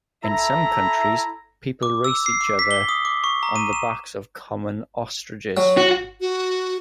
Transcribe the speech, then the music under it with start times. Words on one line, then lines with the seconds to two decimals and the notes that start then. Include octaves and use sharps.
In some countries, people race each other on the backs of common ostriches.
0.24 E4 A4 E5 A#5
1.83 D6
2.04 E6
2.26 C7
2.41 D6
2.59 B6
2.71 G7
2.89 D#6
3.05 D6
3.24 C#6
3.43 A#5
3.56 D#7
3.73 E7
5.57 F#3
5.77 F#4
6.21 F#4